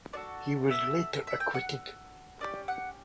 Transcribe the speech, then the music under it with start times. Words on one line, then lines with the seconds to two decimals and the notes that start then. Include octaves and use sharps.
He was later acquitted.
0.13 D4 F#4 A4 D5
0.70 E5
1.27 E5
1.40 G5
1.54 F#5
2.40 C#4 G4 D5
2.68 F#5